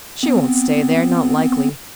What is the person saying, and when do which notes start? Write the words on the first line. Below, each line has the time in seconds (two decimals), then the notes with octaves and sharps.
She won't stay there, not likely.
0.23 B3 C4